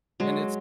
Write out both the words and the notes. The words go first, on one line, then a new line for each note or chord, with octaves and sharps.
And it's,
F#3 G#3